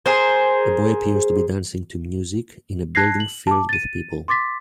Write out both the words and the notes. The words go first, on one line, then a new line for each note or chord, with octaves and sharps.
A boy appears to be dancing to music in a building filled with people.
G#4 A#4 C5
A5 F#6 G#6 A#6 C7
F#7
A5 D6
A6 D#7
C6 D6 A6 B6